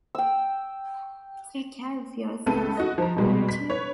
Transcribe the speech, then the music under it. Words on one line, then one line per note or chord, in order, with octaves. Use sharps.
Take care of yourself, won't you?
G5 E6
C#2 A3 B3 A4 D#7
F#4 D#5
F3 A#5
B2 G3 G#3
B6
B4 C#5